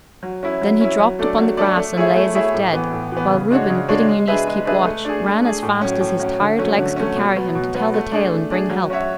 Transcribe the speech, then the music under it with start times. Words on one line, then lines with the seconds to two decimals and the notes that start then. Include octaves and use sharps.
Then he dropped upon the grass and lay as if dead, while Reuben, bidding Eunice keep watch, ran as fast as his tired legs could carry him to tell the tale and bring help.
0.23 F#3
0.43 C#4 E4
0.61 F#3
0.81 C#4 E4
0.99 F#3
1.19 A3 D4 A4 D5
1.38 F#3
1.57 A3 D4 A4 D5
1.76 A3
1.97 E4 G#4 C#5 E5
2.16 A3
2.35 E4 G#4 C#5 E5
2.54 A2
2.73 E3 B3
2.93 A2
3.12 E3 B3
3.31 C#3
3.51 G#3 D4 F#4 C#5
3.70 C#3
3.88 G#3 D4 F#4 C#5
4.09 G#3
4.28 D4 G#4 B4 E5
4.47 G#3
4.65 D4 G#4 B4 E5
4.85 A3
5.05 D4 G#4
5.24 A3
5.43 D4 G#4
5.63 A2
5.81 F#3 C#4
6.00 A2
6.20 F#3 C#4
6.40 D3
6.58 F#3 A3 C#4
6.78 D3
6.96 F#3 A3 C#4
7.16 B2
7.36 F#3 B3
7.55 B2
7.74 F#3 B3
7.94 A3
8.12 D4 G#4
8.32 A3
8.51 D4 G#4
8.70 F#3
8.90 C#4 F#4 C#5 E5